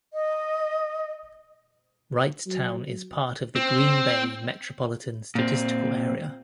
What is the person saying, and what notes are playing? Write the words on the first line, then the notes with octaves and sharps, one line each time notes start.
Wrightstown is part of the Green Bay Metropolitan Statistical Area.
D#5
F#3
C4
A#2 C4